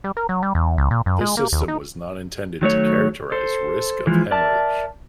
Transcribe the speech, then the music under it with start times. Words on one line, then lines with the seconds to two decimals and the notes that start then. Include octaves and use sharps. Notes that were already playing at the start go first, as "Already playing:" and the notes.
This system was not intended to characterize risk of hemorrhage.
0.04 G3
0.17 A#4
0.29 F#3
0.43 G3
0.55 E2
0.78 C#2
0.91 A#2
1.06 F#2
1.21 G#3
1.37 A#3
1.52 D#2
1.68 D#4
2.62 D#3 F#3 A3 C#5
3.32 A4 C5
4.07 E3 F3 G#3
4.31 A#4 D5 E5 A5